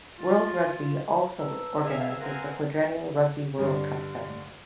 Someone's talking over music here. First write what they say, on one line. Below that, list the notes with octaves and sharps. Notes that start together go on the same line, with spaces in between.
World Rugby also organises the quadrennial Rugby World Cup Sevens.
F4
B4 A5 A#5 E6
G#4 E5 F5
C4 A#4 F#5 G#5
G2 D3